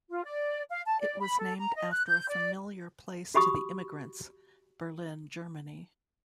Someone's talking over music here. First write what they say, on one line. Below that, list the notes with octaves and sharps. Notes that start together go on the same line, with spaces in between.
It was named after a familiar place to the immigrants: Berlin, Germany.
F4
D5
F5
A5
D5
B5
A4
A#5
D#5
F#6
G6
D5
F#4 G4 B5 C#6 D#6